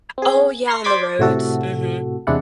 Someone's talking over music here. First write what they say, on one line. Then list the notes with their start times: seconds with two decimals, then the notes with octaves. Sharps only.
Oh, yeah, on the roads? Mhm.
0.18 C4 G#4
0.68 C6 C#6 F6 A#6 C7
0.84 C5 D5 C6 D6 G#6 B6
1.19 A2 C3 F#4 A4
2.27 E2 C3 G#3 D4 E4 F#5